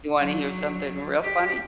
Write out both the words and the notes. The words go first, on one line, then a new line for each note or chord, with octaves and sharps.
You wanna hear something real funny?
F#3
G4